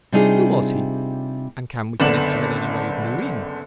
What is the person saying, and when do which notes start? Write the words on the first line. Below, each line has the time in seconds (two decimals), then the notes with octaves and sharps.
Who was he? and can we connect him in any way with New Inn?
0.12 C3 G3 D4 D#4 F4 G#4
2.00 F#1 D3 B3 D5 E7 F#7